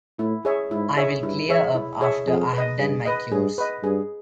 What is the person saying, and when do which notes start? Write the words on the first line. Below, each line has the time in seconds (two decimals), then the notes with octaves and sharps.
I'll clear up after I've done my chores.
0.19 A2 E4
0.45 G#4 C#5 E5
0.71 G#2 E4
0.97 G#4 C#5 E5
1.23 G2 E4
1.49 G#4 C#5 E5
1.75 E4
2.01 G#4 C#5 E5
2.27 F2 G#4
2.53 B4 D#5
2.79 G2 G#4
3.05 B4 D#5
3.32 G2 G#4
3.58 B4 D#5
3.83 G2 G#4